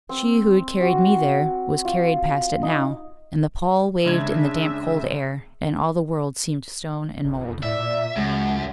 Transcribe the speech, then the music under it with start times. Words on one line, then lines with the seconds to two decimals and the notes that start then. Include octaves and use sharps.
She who had carried me there was carried past it now, and the pall waved in the damp cold air, and all the world seemed stone and mould.
0.09 C4
0.81 F#4
1.85 F4
2.63 D#4
4.05 C#3 G#3 D4 G#4 E5 G#6
7.24 G1
7.41 F2
7.63 A2 D5 E5
7.79 A#2
8.16 C#2 F#2 G#3